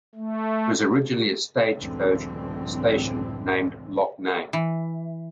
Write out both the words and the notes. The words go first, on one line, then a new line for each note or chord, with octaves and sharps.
It was originally a stagecoach station named Locknane.
A3
C#2 F#2 A2 D3 E3 C4
E3